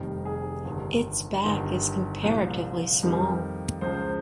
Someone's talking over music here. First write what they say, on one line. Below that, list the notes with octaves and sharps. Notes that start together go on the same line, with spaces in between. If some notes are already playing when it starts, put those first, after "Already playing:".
Its back is comparatively small.
Already playing: F1 F2 D#3 G3 A#4
G#4
G1 G2 D#3
G1 G2 D#3
C2 A#2 F3
F2 D#3 G3
C#2 C#3 F3 C5